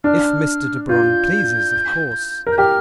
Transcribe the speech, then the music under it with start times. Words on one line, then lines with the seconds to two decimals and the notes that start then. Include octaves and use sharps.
If Mr. De Baron pleases, of course.
0.04 D4 F6
0.89 F4 G6
2.47 A#4
2.52 G6
2.58 G4 F6